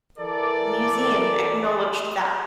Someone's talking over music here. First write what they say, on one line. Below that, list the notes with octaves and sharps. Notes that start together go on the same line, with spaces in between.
The museum acknowledged that.
E3 A4 A#4 D5